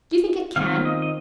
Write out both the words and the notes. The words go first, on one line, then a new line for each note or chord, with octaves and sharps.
Do you think it can?
D#3 C4 F4 F5
D#5
D#5